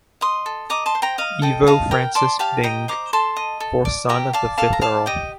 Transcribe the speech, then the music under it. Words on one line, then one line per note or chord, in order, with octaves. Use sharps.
Ivo Francis Byng, fourth son of the fifth Earl.
D#5 C6 D#6
A4
D#5 A#5 D6
A5 C6
C5
G5 A#5
D#5 F5
A4 D#5 G5
D#5 F5 A5
A#4 G5 A#5
D5 A5 C6
G4 F5 A5
D#5 G5 A#5
C5 A#5 D6
A4 A5 C6
D#5
A4
D5
G4 G5 A#5
D5 F5 A5
A4 F5 A5
A#5
D5 F5 A5
G4 D#5 G5